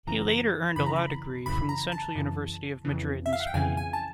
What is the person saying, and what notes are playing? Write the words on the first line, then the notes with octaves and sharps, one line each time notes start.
He later earned a law degree from the Central University of Madrid in Spain.
F#2 C#3 E3 A#5
F#2 C#3 E3 B5
A#5
B5
F#2 C#3 E3 B5
A#5
A5
F#2 C#3 E3
F2 C#3 E3
E5
F5
F#5
G5
F2 C#3 E3 G#5
G#5
A5